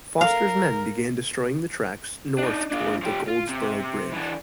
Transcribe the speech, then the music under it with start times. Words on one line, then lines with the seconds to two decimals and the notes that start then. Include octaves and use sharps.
Foster's men began destroying the tracks north toward the Goldsborough Bridge.
0.21 A#4 F5
2.38 D4 D#4
2.71 D4 F4
3.03 F3 G4
3.28 F4
3.49 C3
4.12 E3 D4